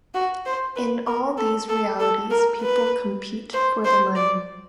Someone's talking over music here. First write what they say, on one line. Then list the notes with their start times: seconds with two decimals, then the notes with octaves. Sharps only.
In all these realities people compete for the money.
0.15 F#4
0.46 C5
0.76 B4
1.07 A#4
1.38 A4
1.69 A4
2.00 A4
2.31 A#4
2.61 B4
3.54 C5
3.85 C5
4.16 D5